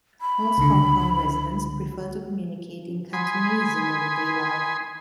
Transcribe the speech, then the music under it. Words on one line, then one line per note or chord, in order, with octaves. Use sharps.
Most Hong Kong residents prefer to communicate in Cantonese in everyday life.
B5
C#2 D3
G#5 B5 C6 D#6